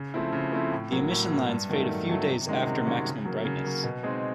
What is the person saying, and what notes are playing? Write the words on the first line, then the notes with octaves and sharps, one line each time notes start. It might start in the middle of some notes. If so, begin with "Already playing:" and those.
The emission lines fade a few days after maximum brightness.
Already playing: C#3
F3 A3 C4 E4
C#3
F3 A3 C4 E4
A2
F#3 A#3
A2
F#3 A#3
G2
D#3 F#3 A3
G2
D#3 F#3 A3
C3
D#3 G#3 C#4 F#4
C3
D#3 G#3 C#4 F#4
C#3
F#3 A#3
C#3
F#3 A#3
B2
G#3 C4 D#4 G#4